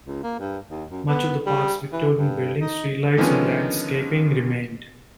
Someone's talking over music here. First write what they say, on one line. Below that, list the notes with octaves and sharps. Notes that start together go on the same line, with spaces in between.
Much of the park's Victorian buildings, street lights and landscaping remained.
C#2
A#3
G2
D#2
F#2
B3
G3
E3
G2
D#4
D3 D#3 F3 G#3 B3 C#4